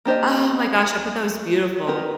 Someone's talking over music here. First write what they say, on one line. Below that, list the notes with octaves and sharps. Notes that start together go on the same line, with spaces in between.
Oh my gosh, I bet that was beautiful.
A#3 D4 G4 C5 D#5
B3 D#4 G4 A#4